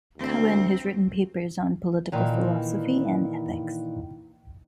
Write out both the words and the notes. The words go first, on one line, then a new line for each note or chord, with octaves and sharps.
Cowen has written papers on political philosophy and ethics.
D2 C4
A#2 D#3 E3